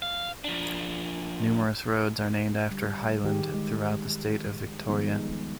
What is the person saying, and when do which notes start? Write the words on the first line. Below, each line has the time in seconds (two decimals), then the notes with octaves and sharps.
Numerous roads are named after Hyland throughout the state of Victoria.
0.02 F5
0.44 F3 D4
2.71 D3 G3
3.24 D#3 G4 G#4
3.54 G#3
4.89 D#3 F3 G3 G#3 B3 D#4